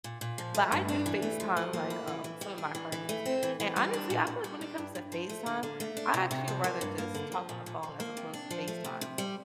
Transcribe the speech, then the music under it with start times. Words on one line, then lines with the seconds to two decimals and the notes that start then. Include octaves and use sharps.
but I do FaceTime, like, um, some of my friends. And, honestly, I feel like when it comes to FaceTime, I actually would rather just talk on the phone as opposed to FaceTime.
0.04 A#2
0.21 A#2
0.38 F3
0.55 A3
0.72 G2
0.88 D4
1.06 E3
1.22 A3
1.40 F3
1.57 F3
1.73 A#3
1.90 E4
2.07 E3
2.24 E3
2.41 G3
2.58 D4
2.75 E3
2.92 E3
3.09 A3
3.26 C4
3.43 E3
3.60 E3
3.76 G3
3.93 D4
4.10 A#2
4.27 A#2
4.44 G3
4.61 D4
4.78 G2
4.95 G2
5.12 F3
5.29 A3
5.46 D3
5.63 D3
5.80 A3
5.97 D4
6.14 C3
6.31 C3
6.48 F3
6.64 A#3
6.81 G2
6.98 A#3
7.15 D3
7.32 F3
7.49 A#2
7.66 A#2
7.83 F3
8.00 A#3
8.17 C3
8.34 D4
8.51 F3
8.68 A3
8.85 C3
9.01 C3
9.18 G3